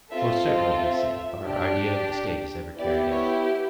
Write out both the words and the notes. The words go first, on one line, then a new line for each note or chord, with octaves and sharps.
Most certainly, he said, if our idea of the State is ever carried out.
C4 F4 A4 E5
D#5
E5
D4 G4
B3 E4 G4 D5
C#5